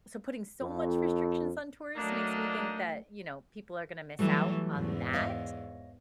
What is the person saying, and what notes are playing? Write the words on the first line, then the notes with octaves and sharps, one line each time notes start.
so putting so much restrictions on tourists makes me think that, you know, people are gonna miss out on that.
F2
F#3 A3 A#3 D4 D#4
E3 F#3 G3 A3
E2 G#2
C#5 D#5 F5